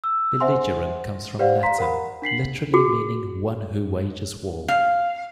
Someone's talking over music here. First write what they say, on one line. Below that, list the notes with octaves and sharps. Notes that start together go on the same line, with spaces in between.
Belligerent comes from Latin, literally meaning "one who wages war".
E6
C5 E5 F#5 G#5 C6
G4 B4 C5 D5 F5 F#5
F5 A#5 C6 B6
A#4 F#5 B5
D4 B6 C7 F#7
F#4 G#4
F5